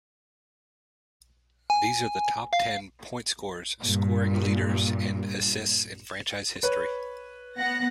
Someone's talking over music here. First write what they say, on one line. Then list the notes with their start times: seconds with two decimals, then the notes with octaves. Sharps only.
These are the top-ten point-scorers, scoring leaders and assists in franchise history.
1.70 G#5
2.53 F5
3.81 G2 A#2
6.63 B4 C#5
7.55 B3 F#5 A#6